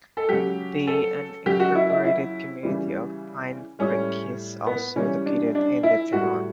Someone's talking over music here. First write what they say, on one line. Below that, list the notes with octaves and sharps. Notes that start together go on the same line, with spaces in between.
The unincorporated community of Pine Creek is also located in the town.
A4
C#3 F#3 G4
A4
C#3 F#3 G4
F#4
E4
E4
E4
C#3 E3 G3
A2 G3 C#4
B3
C#3 E3 G3 C#4
D4
D4
E4
A2 G3 F#4